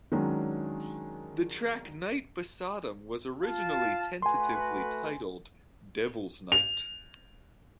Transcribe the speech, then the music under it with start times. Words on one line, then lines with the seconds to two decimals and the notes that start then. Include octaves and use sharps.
The track "Night, BeSodom" was originally tentatively titled "Devilsnight".
0.12 D#3 F#3 G#3 C#4 D4
3.42 F4 F5 A5
4.22 A3 F#4 B4 G#5 C6
6.52 F7